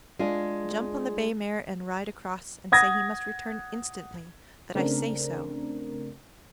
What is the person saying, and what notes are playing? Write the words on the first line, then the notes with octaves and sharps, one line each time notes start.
"Jump on the bay mare, and ride across, and say he must return instantly--that I say so."
G#3 D4 F4 G#4
F#5 D#6 G#6 A#6
C#3 A3 C4 D4 A#4